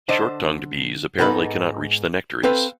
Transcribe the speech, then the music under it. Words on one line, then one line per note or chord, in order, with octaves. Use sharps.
Short-tongued bees apparently cannot reach the nectaries.
D3 D4 C5 D#5
G#2 B3 D#4 E4 A4 B5
C4 A4 B4 F5